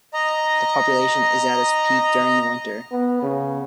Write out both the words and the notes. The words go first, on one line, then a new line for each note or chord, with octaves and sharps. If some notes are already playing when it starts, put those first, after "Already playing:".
The population is at its peak during the winter.
D#5 A#5
B3
C#3